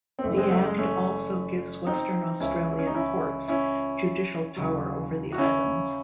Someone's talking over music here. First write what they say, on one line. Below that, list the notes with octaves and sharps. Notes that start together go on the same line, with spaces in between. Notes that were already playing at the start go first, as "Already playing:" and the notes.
The Act also gives Western Australian courts judicial power over the islands.
C4
F#1 F#2 E3 A3
G#3 C4
A3
G#3
A3 C#4
C4 D#4
C#2 C#3 E3 C#4 E4
C#4
D#4
C#4 E4
C#4 E4
D#2 C#3 F#3
F#4
C#4 E4